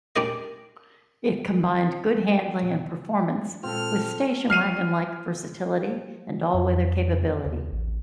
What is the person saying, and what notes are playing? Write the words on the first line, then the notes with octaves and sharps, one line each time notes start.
It combined good handling and performance with station wagon-like versatility and all-weather capability.
G3 D4 G4 A#4 D#5
A#2 G#3 C4 F4 A4 F6
F6 C7 D#7 F7
F2
D#2
A1